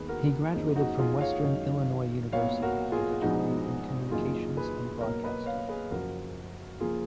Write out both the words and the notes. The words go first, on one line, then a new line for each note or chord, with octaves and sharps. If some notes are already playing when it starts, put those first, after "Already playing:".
He graduated from Western Illinois University with a degree in Communications and Broadcasting.
Already playing: D#2 D#3 G#3 B3 G#4 B4
F#4 A#4
F#1 F#2 C#3 F3 A#3 D#4
D#4 F#4
F4 G#4
C#5 F5
F#2 D#3 G#3
B1 A#2 F#3 B3 C#5 F5
F#4 A#4
F4 G#4
A#1 G#2 F3 G#3 B3 D#4 F#4
F#1 F#2 D#3 A#3 F4 G#4
G#4 B4
B1 B2 F#3 A#3 A#4 C#5
B4 D#5
C#5 F5
G#4 B4
F#1 F#2 F3 F#4 A#4
C#3 F3 A#3 F4 G#4